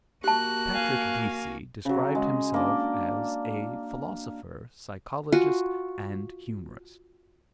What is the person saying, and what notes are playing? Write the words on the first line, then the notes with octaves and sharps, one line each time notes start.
Patrick Deasey described himself as a "philosopher, psychologist, and humorist."
A#3 F#4 G4 A5 F#6
F5 G#5
C#3 F#3
G#3
A#3 D4
F4 F#4 G#5